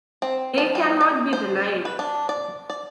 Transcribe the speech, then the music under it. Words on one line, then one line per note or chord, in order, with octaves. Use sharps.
They cannot be denied.
C4
F3
G3
D5
C5
B4
D4
D5
D5